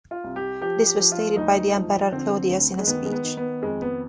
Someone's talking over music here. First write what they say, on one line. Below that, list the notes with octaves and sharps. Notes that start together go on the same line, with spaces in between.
This was stated by the Emperor Claudius in a speech.
F4
C2
G4
F3 G4
G4
F3
F4
D2 D#4
F3
D3 C4
D2
G#3
D#3 B3
G#3
B3
D#3
B3
F2 G#3
B3